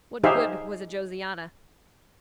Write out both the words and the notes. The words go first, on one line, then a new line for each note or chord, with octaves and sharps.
What good was a Josiana?
D#4 G4 G#4 C5 E5 F5